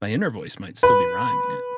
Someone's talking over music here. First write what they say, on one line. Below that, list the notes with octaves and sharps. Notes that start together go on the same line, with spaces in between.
my inner voice might still be rhyming it.
B4